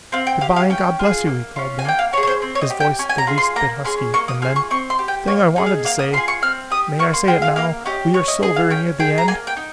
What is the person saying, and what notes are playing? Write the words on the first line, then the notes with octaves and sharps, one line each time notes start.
"Good-bye, and God bless you!" he called back--his voice the least bit husky--and then: "The thing I wanted to say--may I say it now, we are so very near the end?"
C4 F5
G5
G4 F5
F5
C#4 G5
F4 G#4
A#3
C#4 F4
G#5
A#3 G5
F5
C#4 G#4 C#5
C#5
C5
C4
C#5
D#5
G4
G5
C#4 G#5
G#5
A#5
F4 G#4
C6
A#3 A#5
C#4 G#4 C6
A#3 C#6
D#6
F4 G#4 F6
C#6
C4 C#6
C6
G4
G5
A#3 C#5
D#4 G#4
F5
A#3 F5
D#6
F4 G#4 C6
C#6
C4 F6
G4 D#6
A#3 C#6
C6
F4 G#4 G5
F5
A#3 F5
C#4 G4 D#5
C#4 C#5
D#5
G#4 D#5
F5
C#4 G5
G#4 G5
A#5
A#3 G#5
G5
D#4